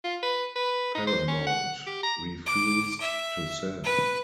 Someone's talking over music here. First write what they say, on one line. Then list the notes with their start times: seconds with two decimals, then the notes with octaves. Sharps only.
Paramount refused to sell.
0.04 F4
0.23 B4
0.56 B4
0.95 D#4
1.07 C5
1.28 C#4
1.47 F#5
1.87 G4
2.03 A#5
2.46 D6
3.01 E5
3.84 B4